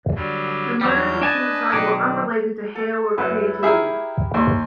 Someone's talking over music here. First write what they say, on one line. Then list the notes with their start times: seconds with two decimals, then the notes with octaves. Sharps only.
The murders and suicide were unrelated to Hale or Creativity.
0.16 D3 F#3 G3
0.81 E2 F#3 G3 G6
1.22 D4 B4 D#5 G#5 A5
1.72 B1 D#3 D4
2.75 A4 A5
3.18 F#2 E4 B4 F#5
3.63 E4 G4 G#4 A#4 E5
4.34 D#2 D#5 C6